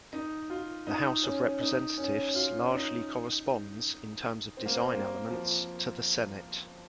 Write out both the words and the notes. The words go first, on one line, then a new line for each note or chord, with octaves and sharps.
The House of Representatives largely corresponds, in terms of design elements, to the Senate.
D#4
F4
D#4
C#4
D#4
C#4
F4
D#4
C4
A#3
C4
A#3
F3